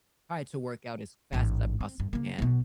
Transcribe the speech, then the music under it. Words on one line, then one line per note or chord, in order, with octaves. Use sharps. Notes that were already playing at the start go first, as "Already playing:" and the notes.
try to work out as fast as I possibly can,
A1 G#2
C4
G2
C#3 A#3
B1 B2